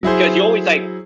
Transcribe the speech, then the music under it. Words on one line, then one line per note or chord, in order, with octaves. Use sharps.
'cause you always, like,
F#3 E4 G#4 C5